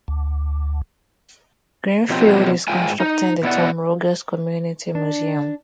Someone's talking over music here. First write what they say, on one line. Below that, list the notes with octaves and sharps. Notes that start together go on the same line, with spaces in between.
Greenfield is constructing the Tom Rogers Community Museum.
D2
B2 F3 F#3 C4 G4
G#2 F4 G5 G#5
D#4
B2 B3 E4 D5 F#5
D4